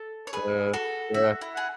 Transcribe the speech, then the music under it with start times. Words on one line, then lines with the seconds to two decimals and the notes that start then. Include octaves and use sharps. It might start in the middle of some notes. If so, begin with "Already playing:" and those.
Uh, yeah.
Already playing: A4
0.27 C#5
0.33 G#4 B4
0.73 F#4 A4
1.14 F#4 E5
1.41 E4
1.55 G#4 F#5